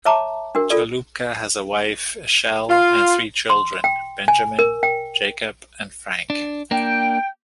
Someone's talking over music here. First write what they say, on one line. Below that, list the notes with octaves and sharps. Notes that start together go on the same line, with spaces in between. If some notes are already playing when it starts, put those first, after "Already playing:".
Chaloupka has a wife Eshell, and three children; Benjamin, Jacob, and Frank.
C#5 E5 A5 A#5 D6
D4 F#4 A#4
F4 A4 D5
F4
C6
G5
G#5
A#4
G5
D4
A#3 D4 G5